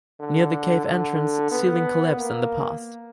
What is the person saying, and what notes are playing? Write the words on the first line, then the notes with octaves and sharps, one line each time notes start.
Near the cave entrance ceiling collapsed in the past.
D3
D3
B3
A#3